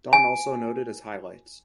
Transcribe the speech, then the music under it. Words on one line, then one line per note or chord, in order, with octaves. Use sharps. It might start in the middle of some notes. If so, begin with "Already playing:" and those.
Dawn also noted as highlights.
G#5